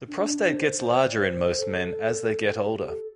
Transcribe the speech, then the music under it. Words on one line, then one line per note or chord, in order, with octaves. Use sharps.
The prostate gets larger in most men as they get older.
D4
D4
C5
C5
D5
C5
C5
A4
G4
A4